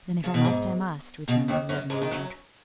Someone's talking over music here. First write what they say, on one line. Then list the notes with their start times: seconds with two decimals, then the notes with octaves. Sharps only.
"Then, if I must, I must," returned the yielding Richard.
0.24 C#3
0.34 B2
0.45 G#2
1.28 B2
1.48 D#2 D#3
1.69 F#2 F#3
1.90 G#2 G#3
2.02 D#3
2.11 F#2 F#3